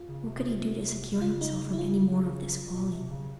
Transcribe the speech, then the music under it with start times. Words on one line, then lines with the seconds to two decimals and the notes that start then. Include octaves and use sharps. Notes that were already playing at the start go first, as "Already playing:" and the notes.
What could he do to secure himself from any more of this folly?
Already playing: F4
0.08 C#3
0.27 C3
1.07 B2
1.14 C3
1.21 C#3 F4
1.41 D#4
1.73 E4
1.78 F4
2.73 B2
2.92 C3
3.11 C#3